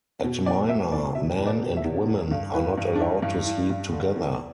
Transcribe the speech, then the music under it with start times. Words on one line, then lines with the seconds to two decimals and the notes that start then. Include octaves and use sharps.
At Mina, men and women are not allowed to sleep together.
0.24 B2
0.46 E2 D5
0.69 B2 E5
0.92 E2 D5
1.15 B2 E5
1.38 E2 B4
1.47 D5
1.61 B2
1.77 E5
1.84 E2
2.07 E3
2.31 G2
2.54 E3 B4
2.78 G2
2.95 D4
3.00 E3 E4
3.23 G2
3.47 E3
3.70 G2
3.93 D3
4.15 E2